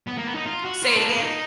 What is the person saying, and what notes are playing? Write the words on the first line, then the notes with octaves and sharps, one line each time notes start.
Say it again?
B3
A#3
B3
D#4
F4
F#4
F4
D4
A#3
B3
F4
D#4